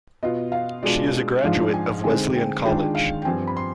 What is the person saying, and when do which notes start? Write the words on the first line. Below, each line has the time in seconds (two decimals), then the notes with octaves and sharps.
She is a graduate of Wesleyan College.
0.23 B2 B3 F4 D#5
0.52 F5
0.83 B2 G#3 D4 F4 D5
1.43 G#2 F3 G#3 D4 F4 F5
1.74 G#5
2.04 D3 G#3 C4 D#4 G#5
2.35 G5
2.65 D#3 G#3 D4 F4 G5
2.95 F5
3.22 G5
3.25 G2 F3 C4 G#5
3.47 B5
3.57 C6